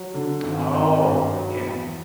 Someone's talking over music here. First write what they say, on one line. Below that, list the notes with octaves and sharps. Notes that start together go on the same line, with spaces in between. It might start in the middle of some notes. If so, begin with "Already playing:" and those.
Oh, yeah.
Already playing: F#3
D3
G#1
G#1
G2
F#3
E2